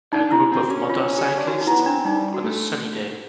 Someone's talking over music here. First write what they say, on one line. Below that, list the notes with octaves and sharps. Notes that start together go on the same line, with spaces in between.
A group of motorcyclists on a sunny day.
D4 D#4
E4
C4
F#4
C#4
F4
G4
D4
C#4 F#4
D#4
B3 E4
C4 D4
G3 D#4
F#4
A3